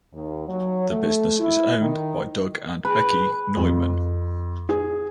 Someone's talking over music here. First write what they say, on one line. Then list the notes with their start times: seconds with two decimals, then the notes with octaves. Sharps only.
The business is owned by Doug and Becky Neuman.
0.13 D#2
0.47 F#3
0.90 A3
1.39 E4
1.81 D#3
2.85 B4
3.57 F2
4.69 G#4